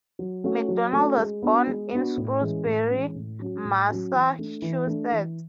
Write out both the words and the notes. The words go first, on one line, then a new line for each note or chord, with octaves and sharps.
Mcdonald was born in Shrewsbury, Massachusetts.
F#3
A3 C#4 F#4
F#3
A3 C#4 F#4
G#3
B3 D4 F#4
G#3
B3 D4 F#4
A2
E3 G#3 C#4
A2
E3 G#3 C#4
A2
F#3 C#4 F#4
A2
F#3 C#4 F#4
E3
A3 D4
E3
A3 D4
E3